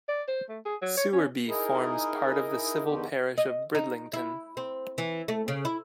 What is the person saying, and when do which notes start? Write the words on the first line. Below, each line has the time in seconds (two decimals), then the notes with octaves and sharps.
Sewerby forms part of the civil parish of Bridlington.
0.09 D5
0.28 C5
0.49 A3
0.65 G#4
0.81 F#3
0.97 C#5
1.13 C#4
1.48 D#4 E4 G#4 A#4
2.83 E2 D3 D#3 G4
3.38 D#5
3.75 D#4
4.13 E4
4.57 C4
4.98 E3
5.28 A3
5.48 C#3
5.65 E4